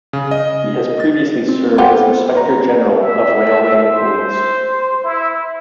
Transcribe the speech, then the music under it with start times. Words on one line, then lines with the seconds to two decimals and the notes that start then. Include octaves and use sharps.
He has previously served as Inspector General of Railway Police.
0.13 C#3
0.31 D#5
1.00 A6
1.49 C4
1.78 B3 F4 G4 A4 C5
2.35 B4 C#5 A#5
2.99 E5
3.89 C5
5.04 E4